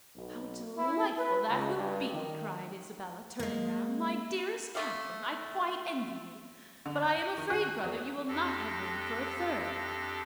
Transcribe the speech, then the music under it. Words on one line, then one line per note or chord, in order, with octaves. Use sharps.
"How delightful that will be!" cried Isabella, turning round; "my dearest Catherine, I quite envy you; but I am afraid, brother, you will not have room for a third."
B1
E4
B4
C#2
G2
D#3
G#3 A#3
D3 A3 D5 F5
D3
G6
D#7
D#3
F#4
F#6
E2
F2 D4 G4 A4 A#6